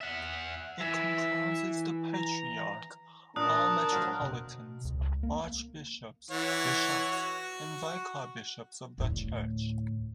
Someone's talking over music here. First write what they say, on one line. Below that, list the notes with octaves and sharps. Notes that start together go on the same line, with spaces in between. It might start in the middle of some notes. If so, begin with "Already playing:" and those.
It comprises the Patriarch, all metropolitans, archbishops, bishops and vicar bishops of the church.
E5 F#5
E3 E5
A#5
A#2 D4 A#4 A5 A#5 D#6 F#6
F#3 F4 C5
B2
C#2
A#3
E3 C#5 F#5
F#4
D2 A2